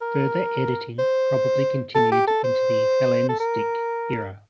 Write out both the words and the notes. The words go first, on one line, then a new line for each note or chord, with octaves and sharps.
Further editing probably continued into the Hellenistic era.
A#4
C5
A4
G4
A4
C5
A4
A#4